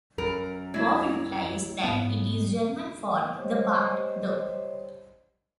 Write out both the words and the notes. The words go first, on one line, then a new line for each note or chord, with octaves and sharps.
Bob replies that it is German for "The Bart, The".
F#2 A#4
F#3 E4
G#2 B3
G3 C5 C#5 D#5